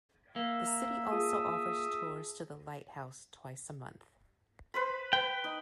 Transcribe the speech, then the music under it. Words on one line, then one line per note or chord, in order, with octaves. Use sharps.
The city also offers tours to the lighthouse twice a month.
A#3 E5
A#5
F4 G#4 A5 D#6
B4 C5 B5
B4 G5
D#4